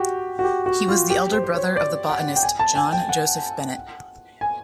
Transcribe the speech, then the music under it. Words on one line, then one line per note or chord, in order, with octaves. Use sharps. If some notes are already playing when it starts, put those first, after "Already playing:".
He was the elder brother of the botanist John Joseph Bennett.
Already playing: F#4 G4
F#4
G4
F#4
F4
G4
C5
C5
C#5
D5
F#5
G5
G#5
A5
G#5
G5
F#5
G#5